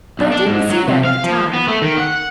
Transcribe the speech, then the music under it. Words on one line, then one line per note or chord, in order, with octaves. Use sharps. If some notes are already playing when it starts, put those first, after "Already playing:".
But I didn't see that at the time.
B1
D4
G#2
F#3
C3
F5
F3
B3
A3
D#3
F#5